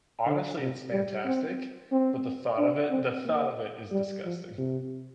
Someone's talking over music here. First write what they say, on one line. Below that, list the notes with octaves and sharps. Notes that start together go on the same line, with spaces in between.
honestly, it's fantastic, but the thought of it the thought of it is disgusting.
D3
C3
G3
C4
C4
D4
C4
A#3
G3
F3
C3